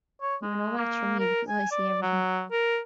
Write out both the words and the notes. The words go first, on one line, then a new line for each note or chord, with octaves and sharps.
You are no match for me because I see everything.
C#5
G#3
A#3
A#4
G#5
D5
F#3
A#4